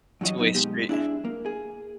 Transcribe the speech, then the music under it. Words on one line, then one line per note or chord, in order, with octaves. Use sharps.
two way street.
G2 E3 F#3 F#4 D#5
F#3 B3 D#4
B2 G#3 G4
D4 E4 G#4 E5
A#3
G#4